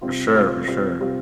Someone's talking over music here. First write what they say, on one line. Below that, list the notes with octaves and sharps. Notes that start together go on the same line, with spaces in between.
For sure, for sure.
C3 G3 C4 F4
C3 G3 C4 F4
C3 G3 C4 F4
C3 G3 C4 F4